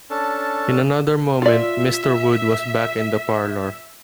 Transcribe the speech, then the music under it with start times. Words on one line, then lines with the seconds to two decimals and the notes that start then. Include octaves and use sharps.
In another moment Mr. Wood was back in the parlour.
0.10 C#4 D4 A4 A5
1.42 F4 D5 E5